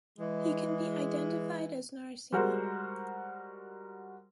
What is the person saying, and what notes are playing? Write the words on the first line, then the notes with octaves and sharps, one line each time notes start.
He can be identified as Narasimha.
E3 G#3
G3 G#3 F#4 A#4 C5